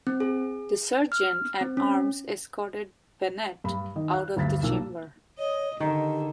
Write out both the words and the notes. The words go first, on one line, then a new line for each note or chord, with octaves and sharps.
The Sergeant at Arms escorted Bennett out of the chamber.
C4
G#4
F6
C4
C#4
G2 B5
D#3 D#5
F5 F#6
D2 G2 A6 B6
B1 F3 A#3 E6
C#5 D#5
D3 D#3 G4